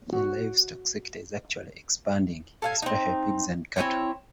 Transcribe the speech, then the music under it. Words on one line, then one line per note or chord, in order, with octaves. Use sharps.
The livestock sector is actually expanding, especially pigs and cattle.
F#4
A4 F5 G#5
C4 D#4
C4 E4 C#5 G#5